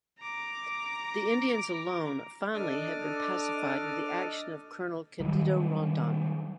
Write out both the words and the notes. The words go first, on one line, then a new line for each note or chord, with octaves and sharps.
The Indians alone finally had been pacified with the action of colonel Candido Rondon.
A#5 D6
D4 A4 D#5 D6 F6
D#3 F#3 G3